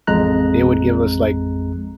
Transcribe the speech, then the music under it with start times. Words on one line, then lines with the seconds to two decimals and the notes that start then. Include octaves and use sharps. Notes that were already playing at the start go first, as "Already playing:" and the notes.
they would give us, like,
0.07 A1 F2 G#3 A#5 F#6